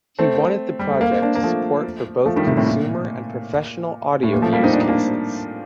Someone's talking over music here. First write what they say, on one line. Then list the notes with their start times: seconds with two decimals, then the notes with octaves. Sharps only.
He wanted the project to support for both consumer and professional audio use cases.
0.19 A3 C4
0.79 G3
0.90 A3
1.01 A#3
1.11 C4
1.22 A#3 D4
1.35 A#3
1.43 F3 A3
2.26 F3 A3
2.36 D#3 G3
2.46 A2 C3
2.57 A2 C3
2.66 A#2
4.23 A2
4.33 A#2
4.42 F3 A3
4.53 G3 A#3
4.63 C4 D#4
4.73 D4
4.81 D#4
4.88 A#3 D4